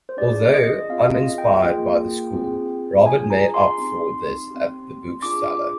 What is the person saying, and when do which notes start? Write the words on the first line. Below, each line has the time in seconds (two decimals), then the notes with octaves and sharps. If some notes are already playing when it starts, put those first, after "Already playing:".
Although uninspired by the school, Robert made up for this at the bookseller.
0.09 C5
0.17 D4 F4 G#4 D5
0.54 D#5
0.89 C4 F4 G#4 F5
1.14 D#5
1.38 G5
1.61 A#3 F4 G#4
2.34 C4 F4 G#4
3.06 D4 F4 G#4 G#5
3.30 A#5
3.54 C6
3.78 C4 D#4 G4
4.51 C4 G4
5.22 D4 F4 G#4 D6
5.47 D6